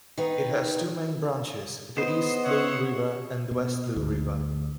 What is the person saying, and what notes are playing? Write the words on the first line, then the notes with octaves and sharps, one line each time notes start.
It has two main branches, the East Looe River and the West Looe River.
D#3 B3 D#4 B4
B3 C5 D#5
C#5 E5 F#5
B2
D2